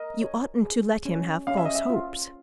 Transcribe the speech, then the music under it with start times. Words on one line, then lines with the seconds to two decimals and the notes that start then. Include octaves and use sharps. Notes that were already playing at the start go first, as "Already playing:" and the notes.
"You oughtn't to let him have false hopes."
Already playing: A#4 D#5
0.22 C#5
0.64 G#4
1.05 C#4
1.47 C#4 F5
1.57 E5
1.65 D#5
1.75 E5
1.90 F4